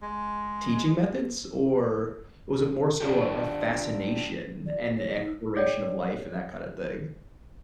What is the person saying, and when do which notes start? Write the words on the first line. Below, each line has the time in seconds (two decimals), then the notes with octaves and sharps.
teaching methods, or, was it more so a a fascination, and exploration of life and that kind of thing?
0.02 G#3
3.00 D4 F4 G4
4.66 D5
4.97 C#5
5.19 D#4
5.56 G#4 C#5 D5 G5